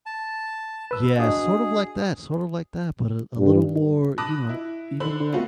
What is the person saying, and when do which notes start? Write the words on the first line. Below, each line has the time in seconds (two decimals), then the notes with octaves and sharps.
Yeah, sort of like that, sort of like that, but a a little more, you know even more
0.06 A5
0.91 B4 E6
1.19 D4 F#4 G#4 D#5
3.38 G2
4.18 A5 B5 D6 D#6 F#6 A#6
4.49 E4
5.00 D3 C5 B5 F#7
5.32 A3 B3 C4 F4 F#4